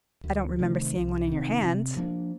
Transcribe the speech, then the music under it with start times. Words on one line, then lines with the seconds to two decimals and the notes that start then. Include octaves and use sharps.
"I don't remember seeing one in your hand."
0.24 D2
0.59 C3 D#3 A3
0.93 C2
1.27 C3 D#3
1.62 C3
1.96 F3 A#3 D4